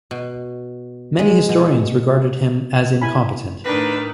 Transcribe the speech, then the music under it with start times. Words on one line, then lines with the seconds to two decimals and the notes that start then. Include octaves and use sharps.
Many historians regarded him as incompetent.
0.11 B2
1.19 G#3
1.49 B2
3.02 E4 G#5 B5
3.65 A2 D#3 D4 B4